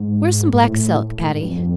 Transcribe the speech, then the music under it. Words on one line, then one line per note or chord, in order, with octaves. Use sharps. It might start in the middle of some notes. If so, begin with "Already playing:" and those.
"Where's some black silk, Patty?"
Already playing: G#2
G#2
A2
A2
G#2
G2
F2